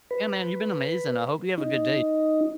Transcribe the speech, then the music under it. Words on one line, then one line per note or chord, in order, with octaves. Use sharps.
Yeah, man, you've been amazing, I hope you have a good day.
B4
D#4